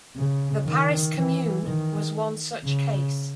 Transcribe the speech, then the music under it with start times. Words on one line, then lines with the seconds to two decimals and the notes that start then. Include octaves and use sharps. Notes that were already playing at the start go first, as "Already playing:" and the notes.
The Paris Commune was one such case.
0.17 C#3
0.66 D#3
1.15 E3
1.65 D#3
2.64 C#3